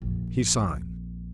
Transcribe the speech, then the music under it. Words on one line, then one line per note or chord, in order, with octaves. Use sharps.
He signed.
A#1 F2